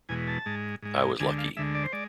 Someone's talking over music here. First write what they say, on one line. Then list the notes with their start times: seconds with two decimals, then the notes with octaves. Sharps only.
I was lucky.
0.09 E2 B2 G#3 G#5
0.28 A5
0.46 G#2 G#3
0.82 G#2 G#3
1.20 D2 D3 G#3 G#5
1.38 F5
1.57 D2 D3 G#3 E5
1.75 D5
1.84 C5
1.93 G#3 D5